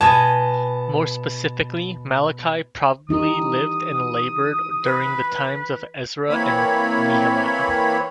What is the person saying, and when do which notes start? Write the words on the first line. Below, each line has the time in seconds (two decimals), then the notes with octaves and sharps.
More specifically, Malachi probably lived and labored during the times of Ezra and Nehemiah.
0.01 B2 G#5 A5
3.09 E3 D#4 G4 D#6
4.84 B4
6.29 E3 A#3 C4 C#5 B5